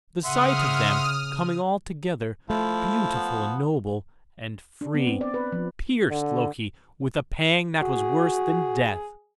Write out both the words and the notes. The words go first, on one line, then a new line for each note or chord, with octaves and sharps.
The sight of them coming all together--beautiful, and noble, and free--pierced Loki with a pang that was worse than death.
C#3 E5 F#5 C6 D#6 F6
F3 A3 E4
B3
D4
B3
C4
D5
B4
F3
D3
F#4 G#4